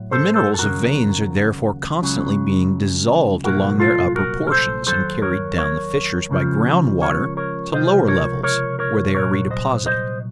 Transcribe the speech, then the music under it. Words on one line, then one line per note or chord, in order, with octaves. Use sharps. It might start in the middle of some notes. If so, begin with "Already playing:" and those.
The minerals of veins are therefore constantly being dissolved along their upper portions and carried down the fissures by ground water to lower levels, where they are redeposited.
Already playing: A2 F#3
A4 C5
A4 C5
A4
D#2 C#3 F#3 F#4 A#4
C#2 C#3 F#3
C2 A#2 F#3 F#4 A#4
F4 A4
F#4 A#4
A#4
A4 C5
D#2 C#3 F#3 A4 C5
A#4 C#5
A#4 C#5
C#2 C#3 F3
A#4 C#5
A#4 C#5
C#2 C3 F3 C5 D#5
A#4 C#5
A#4 C#5
A#4 C#5
C2 A#2 F#3 A#4 C#5
C5 D#5
C5 D#5